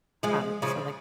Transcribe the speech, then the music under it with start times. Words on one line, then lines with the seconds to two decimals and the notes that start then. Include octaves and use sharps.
um, so, like,
0.23 F3 G#3
0.62 C#3 F3